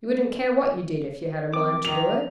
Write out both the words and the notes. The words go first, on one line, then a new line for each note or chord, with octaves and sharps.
'You wouldn't care what you did if you had a mind to do it.'
F3 C4 A#4 D6
D#3 F7